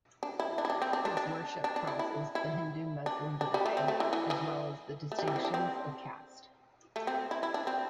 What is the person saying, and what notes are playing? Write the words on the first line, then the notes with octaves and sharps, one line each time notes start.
His worship crosses the Hindu-Muslim divide as well as the distinctions of caste.
D4
E4
D4
E4
D4
C4
D4
D4
D4
D4
D4
E4
E4
E4
D4
D4
G3
A3
C4
A3
E3
E3
E3
A3
G3
E3
C4
D4
C4
A3
C4
E4
E4
D4
C4